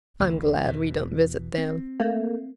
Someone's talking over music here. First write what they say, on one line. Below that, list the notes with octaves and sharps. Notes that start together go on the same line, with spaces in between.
I'm glad we don't visit them.
A1 D2 D3
E2 B2 E3
C4
A3 A#3